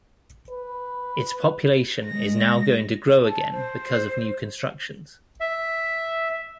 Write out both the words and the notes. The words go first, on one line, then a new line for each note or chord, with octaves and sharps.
Its population is now going to grow again because of new constructions.
B4
G#3 A#6
A5
C5
E5